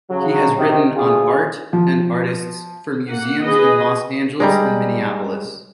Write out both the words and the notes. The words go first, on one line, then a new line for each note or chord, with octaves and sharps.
He has written on art and artists for museums in Los Angeles and Minneapolis.
C#3 F#3
C3 D#3
D2 F4 G#4
F3
A#3 F#5
G#4 B4 D#5
G3 G#3 D5 A#5